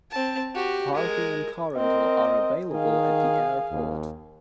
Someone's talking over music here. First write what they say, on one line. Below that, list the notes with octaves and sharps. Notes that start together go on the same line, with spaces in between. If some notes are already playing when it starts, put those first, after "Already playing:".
Parking and car rental are available at the airport.
C4 A5
F#4 G4
G#3 A#4
C4 A#4 D#5
D#3 G#4 F5
D#2